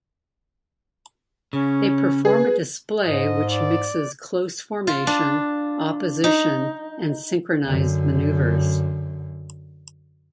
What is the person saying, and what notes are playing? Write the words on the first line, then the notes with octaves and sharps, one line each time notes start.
They perform a display which mixes close formation, opposition and synchronised manoeuvres.
C#3 C#4
G#4 B4
G#2 D#5
D5
F4
D4
D#4
F#2 D3